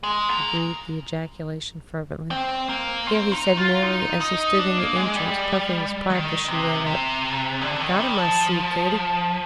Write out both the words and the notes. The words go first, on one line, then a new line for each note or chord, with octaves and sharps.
He breathed the ejaculation fervently, yet he said merely as he stood in the entrance puffing his pipe as she rode up, "Got 'em, I see, Katie!"
G#3
A#3
C4
A#3
C4
D#4
F4
D#4
D#4
D4
A#3
G#3
G3
D#3
C3
C3
D3
D#3
G3
F3